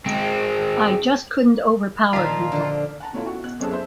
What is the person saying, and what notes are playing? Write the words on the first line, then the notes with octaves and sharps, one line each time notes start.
I just couldn’t overpower people.
G#3 C4
A#2 D#3 F3 F4 A#5 B6
D3 A#4
F#5 A5 A#5
B2 A3 C#4 E4 F4
F#4
B2 F#6
F#1 C4 C#4 G#4 A4 E6
C5 E5